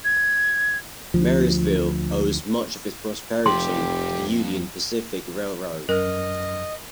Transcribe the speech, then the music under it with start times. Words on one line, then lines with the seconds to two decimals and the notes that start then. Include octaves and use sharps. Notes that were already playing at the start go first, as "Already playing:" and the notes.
Marysville owes much of its prosperity to the Union Pacific Railroad.
0.05 G#6
1.14 D2 F3
3.46 F1 F2 G4 C6
5.89 F#2 A#4 D#5 F6